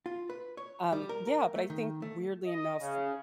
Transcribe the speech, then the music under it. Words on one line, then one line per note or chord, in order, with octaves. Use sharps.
um, yeah, but I think, weirdly enough, m
F4
B4
C#5
G3
A#4
A#4
A3
D#3
A3
D#5
C#3